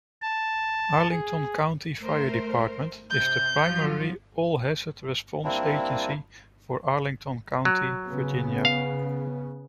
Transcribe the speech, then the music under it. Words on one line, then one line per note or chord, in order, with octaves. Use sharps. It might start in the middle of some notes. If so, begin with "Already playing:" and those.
Arlington County Fire Department is the primary all-hazards response agency for Arlington County, Virginia.
A5
G#4
A3 A#4 C5
C3 C5 G6
F3 F#3 F4
G3 A#3 C4 D4 E4
F#3
C#3 B3
F5